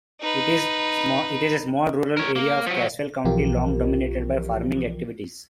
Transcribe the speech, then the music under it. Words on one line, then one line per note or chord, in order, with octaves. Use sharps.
It is a small rural area of Caswell County long dominated by farming activities.
D#4 B4
A#4 C#5
A#3
F3 F#3
B1 E3 F3 F4 G4 A#4